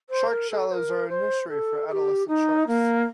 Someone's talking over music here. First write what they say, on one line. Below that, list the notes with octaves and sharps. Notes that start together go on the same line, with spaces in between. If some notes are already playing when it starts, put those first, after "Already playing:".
Shark Shallows a nursery for adolescent sharks.
C5
A#4
A4
C5
A#4
C5
A4
A4
G4
D#4
A#3